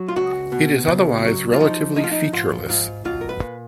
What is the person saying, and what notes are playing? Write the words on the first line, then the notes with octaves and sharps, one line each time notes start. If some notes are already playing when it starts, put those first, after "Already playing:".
It is otherwise relatively featureless.
Already playing: F#3
F4
C#2 F#4
B2
C#2
F#3
F4
F3 D#4
F3 D#4
F4
D#4
G#2 F4
G#2 F4
B1 F4
A#4
B4
A#2